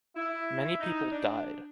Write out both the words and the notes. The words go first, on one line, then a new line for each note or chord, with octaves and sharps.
Many people died.
E4
D#4
D4